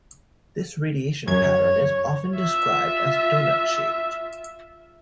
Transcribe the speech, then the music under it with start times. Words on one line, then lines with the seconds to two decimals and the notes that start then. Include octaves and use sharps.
This radiation pattern is often described as "doughnut shaped".
1.27 F#2 C#5 G#6
2.33 F4 E5